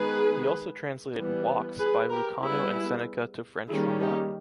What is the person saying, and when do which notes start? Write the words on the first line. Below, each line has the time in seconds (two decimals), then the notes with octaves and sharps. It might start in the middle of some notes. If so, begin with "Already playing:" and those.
He also translated woks by Lucano and Seneca to French from Latin.
Already playing: D#3 G#3 B3 G#4 B4
1.16 E3 G3 B3
1.79 G#4 B4
2.10 G4 A#4
2.42 G3 B3 E4 G#4
3.68 D#3 G3 A#3 C#4 E4 G#4
4.00 D#4 G4